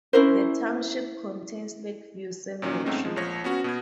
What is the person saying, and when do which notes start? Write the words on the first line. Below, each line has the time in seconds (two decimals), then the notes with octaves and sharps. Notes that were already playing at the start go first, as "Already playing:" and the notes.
The township contains Lakeview Cemetery.
0.13 C#4 E4 A#4 C5
2.62 A#2 D#3 F#3 C#4
2.85 G#2 A3 C4 C#4 D#4
3.04 F3 G#3
3.16 A#1 F3 C#5 A#6
3.44 B3 C#4 F#4
3.64 B2 B3 G#6